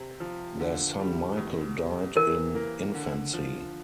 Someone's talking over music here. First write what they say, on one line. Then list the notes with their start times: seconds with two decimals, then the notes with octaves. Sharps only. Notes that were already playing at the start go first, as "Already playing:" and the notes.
Their son Michael died in infancy.
Already playing: C3
0.20 F3
0.60 D3
0.99 G3
1.37 E2
1.77 C3
2.15 E3 A#4
2.55 A#3
2.94 D3
3.34 F3